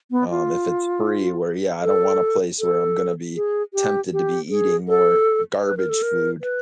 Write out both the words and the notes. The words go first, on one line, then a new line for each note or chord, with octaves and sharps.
um, if it's free where, yeah, I don't want a place where I'm gonna be tempted to be eating more garbage food,
B3
F4
A4
A4
G#4
G4
G4
G#4
A4
B4
A#4
A4
A#4
B4